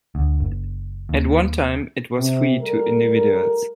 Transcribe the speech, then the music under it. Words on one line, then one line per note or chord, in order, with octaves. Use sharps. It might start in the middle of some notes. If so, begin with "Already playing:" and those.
At one time it was free to individuals.
D2
F#1
D#2
C3
G3 A3 A#4